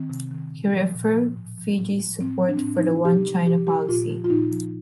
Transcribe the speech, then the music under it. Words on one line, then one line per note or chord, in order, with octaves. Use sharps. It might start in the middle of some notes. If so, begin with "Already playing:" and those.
He reaffirmed Fiji's support for the One China policy.
Already playing: D#3 C4
C3
D#3
A#2
F3
A#2
F3
A2
F3
A2
F3
A2 C4
F3
D4
C4
A2 D4
D#4
F3
C3 G4
F3
C3 G4
F3 G4
A#2 F4
F3
F4
A#2 D#4
F3